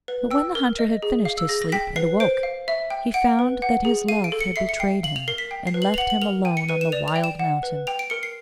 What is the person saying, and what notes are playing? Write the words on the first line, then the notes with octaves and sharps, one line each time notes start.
But when the Hunter had finished his sleep and awoke, he found that his love had betrayed him and left him alone on the wild mountain.
B4
G5 E6
A#4
D#5
G#4
F5
E6
G#4 A#6
A#6
G5 B6
B4 C7
C5 D7
F5
E5
G5
F#5 D7
B4
F#5
G#4
F5 D#7
D7
A4
C#7
E5 C7
C#7
G5 C7
F5 F#7
F7
A#4 C7
B6
G5
C7
B4
F#7
F7
F#5 F#7
F#7
A#4 F7
G5 D#7
C#7
B4 D#7
E7
D5 F7
F7
G5
E7
F#5
B4
G5 F7
D7
A#4 C#7
C7